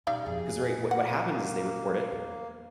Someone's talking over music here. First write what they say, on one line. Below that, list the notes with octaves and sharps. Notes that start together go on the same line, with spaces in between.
'cause, right, what what happens is they record it,
B2 G3 C#4 D#4 F5
G1 F2 G#4
A#1
A#3 F#5
E2